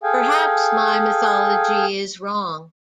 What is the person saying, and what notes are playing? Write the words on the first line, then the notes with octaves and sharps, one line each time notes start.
Perhaps my mythology is wrong.
G#4 A4 F5 G5 G#5